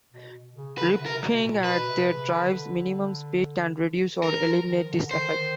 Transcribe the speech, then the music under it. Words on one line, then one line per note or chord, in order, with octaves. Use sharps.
Ripping at the drive's minimum speed can reduce or eliminate this effect.
B2
C#3
D3 B4
C3
A#4
B2
A#2
B2 B4
C3
C#3
D3
E3 A#4
F3
D#3
D3
D#3 C5